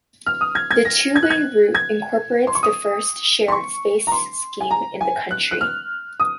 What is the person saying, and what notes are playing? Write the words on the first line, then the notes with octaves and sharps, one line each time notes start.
The two-way route incorporates the first shared space scheme in the country.
F6
D#6
G#6
G#6
A#6
G#6
F#6
G#6
G#6
C6
C#6
D#6
C6
C#6
A#5
C6
G#5
A#5
G#5
F#6
F#6
F6
D#6